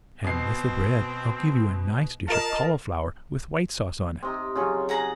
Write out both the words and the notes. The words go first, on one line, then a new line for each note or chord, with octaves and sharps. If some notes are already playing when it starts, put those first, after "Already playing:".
"And with the bread, I'll give you a nice dish of cauliflower with white sauce on it."
B2 C4 C7
F4 A#4 D#5 A5
C3 C4 D#4
C#3 F#3 C#4 F4
G#4 F#5 A#5